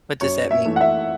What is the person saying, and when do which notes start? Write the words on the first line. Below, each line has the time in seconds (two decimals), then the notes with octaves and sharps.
What does that mean?
0.21 F#2 C#5
0.51 E5
0.65 E3 A3
0.76 F#5
0.81 E5